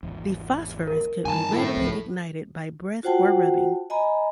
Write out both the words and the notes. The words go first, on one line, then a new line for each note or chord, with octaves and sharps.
The phosphorus could be readily ignited by breath or rubbing.
G#1 E2
A#4
G2 D#3 G#5 A5
E4 A4
G#1 C#2 F3
F4 F#4 C5 F#5 G5 A5
D#5 G#5 A#5 B5